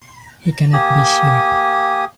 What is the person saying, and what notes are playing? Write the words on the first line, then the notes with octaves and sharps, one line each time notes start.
He cannot be sure.
A#3 G4 G#5 D#6